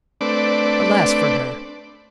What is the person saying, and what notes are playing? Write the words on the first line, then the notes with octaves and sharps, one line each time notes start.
Alas for her!
A3 C4 D4 B4 D5